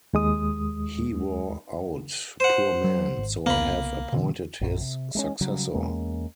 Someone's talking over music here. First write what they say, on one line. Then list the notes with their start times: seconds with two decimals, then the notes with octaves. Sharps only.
He wore out, poor man, so I have appointed his successor.
0.14 D#2 G#3 D#6
2.40 C5 F#5
2.84 F#3
3.17 G#1
3.46 C2 C#3 A#3 B3 B5
4.13 B2 D3 E3
4.61 A#1 F#2 A#2
4.81 C3
5.15 G#3 A3 C#4
5.41 C#3 F#3 G3
5.74 E2 G#3 A#3 C#4